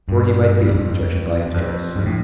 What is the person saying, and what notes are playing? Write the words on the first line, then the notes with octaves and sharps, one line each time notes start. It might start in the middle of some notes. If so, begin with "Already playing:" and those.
Poor he might be, judging by his dress.
G2
G2
F2
F2
G2
A2